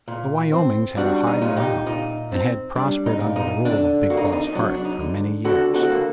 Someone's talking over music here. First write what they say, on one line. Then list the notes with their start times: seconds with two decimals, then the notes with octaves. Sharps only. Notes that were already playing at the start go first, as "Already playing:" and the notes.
The Wyomings had a high morale, and had prospered under the rule of Big Boss Hart for many years.
0.08 A#2
0.52 C4
0.96 G3 D4 F#4
1.27 D#4
1.42 A#2
1.56 D#4 G4
1.86 A#2 D#4
2.32 C4
2.76 G3 D4
3.06 D#4
3.20 A#2
3.36 D#4
3.65 D3 D4
4.10 A#3 F#4
4.17 D#4
4.25 D4
4.33 D#4
4.55 F#3 D4
4.74 D4
4.85 D#4
5.00 D3
5.45 D3 F#4 A4
5.74 F#4 A4
5.90 A#3